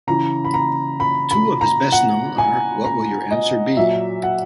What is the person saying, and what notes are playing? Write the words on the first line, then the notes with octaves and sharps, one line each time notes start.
Two of his best known are What Will Your Answer Be?
C#3 E3 A#5
B5
A#5
B5
B5
A#5
F#5
G#5
A#5
D#5
A#2 F#3 E5
F#5